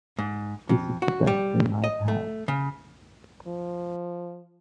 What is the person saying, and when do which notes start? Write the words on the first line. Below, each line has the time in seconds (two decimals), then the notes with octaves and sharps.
This is the best thing I have had.
0.19 G#2
0.69 F2
1.02 F#4
1.27 G3
1.84 D#5
2.08 A3
2.48 C#3
3.47 F3